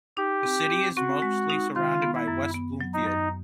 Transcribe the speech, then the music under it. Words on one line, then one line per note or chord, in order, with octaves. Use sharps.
The city is mostly surrounded by West Bloomfield.
D#4 G4
C4
C4
C4 F#4
G#3
D#4
D#3 F4
B3
E4
F#2
B3
F#3
D#4
F#2